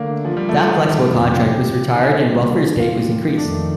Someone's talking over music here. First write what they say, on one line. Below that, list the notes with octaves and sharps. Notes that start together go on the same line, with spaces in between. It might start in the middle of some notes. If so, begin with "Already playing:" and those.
That flexible contract was retired and welfare state was increased.
Already playing: D3 A3 A#3 D4
F3
G3
A3
D#3
G3
F2 C3 G3 D4 F4
G4
G4
G4
D#4
D3 G3 A#3 D4 G4
F4
F2 D#3 A3 D4